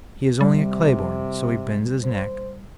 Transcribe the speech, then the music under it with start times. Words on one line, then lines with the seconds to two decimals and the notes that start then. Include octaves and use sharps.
He is only a clay-born; so he bends his neck.
0.41 C3 G3
2.03 C5